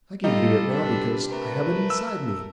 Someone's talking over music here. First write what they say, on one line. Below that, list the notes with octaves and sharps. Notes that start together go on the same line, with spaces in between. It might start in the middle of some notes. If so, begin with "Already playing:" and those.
I can do it now because I have it inside me.
G3 D#4 F4 A4 D#5
C3 D4 B4
A3 A#4 B4
E6